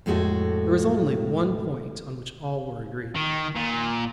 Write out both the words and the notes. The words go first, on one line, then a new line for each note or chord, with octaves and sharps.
There was only one point on which all were agreed.
F2 A2 G#3 F#4 A4
D#3
A#2